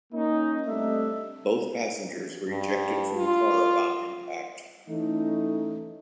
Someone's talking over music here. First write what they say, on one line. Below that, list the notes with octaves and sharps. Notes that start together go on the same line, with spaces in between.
Both passengers were ejected from the car upon impact.
A#3 C#4 D#4
G3 A3 C4 D4 D#5 E5
G2
F4
E3 A3 C#4 D#4